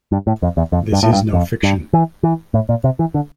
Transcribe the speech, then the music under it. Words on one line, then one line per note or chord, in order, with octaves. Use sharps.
This is no fiction.
G2
A2
F2
E2
F2
G2
A2
G2
F2
G2
E3
E3
A2
A#2
C3
E3
D3